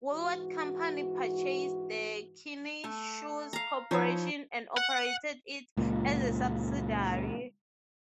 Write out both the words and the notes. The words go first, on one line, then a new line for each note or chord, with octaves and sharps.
Woolworth Company purchased the Kinney Shoe Corporation and operated it as a subsidiary.
G#2 E3 F#4
A3 A5
F5 A#5
F3 D#4 E4 C#5
F#5
C#2 A#2